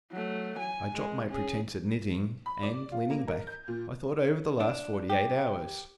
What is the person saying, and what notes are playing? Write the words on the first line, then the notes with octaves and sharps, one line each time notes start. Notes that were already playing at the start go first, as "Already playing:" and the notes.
I dropped my pretense at knitting and, leaning back, I thought over the last forty-eight hours.
F#3 A3
G#5
G#3
C#4 G#4
B5
D5
F4
A#3
A#4
G6
A#2
D4
G4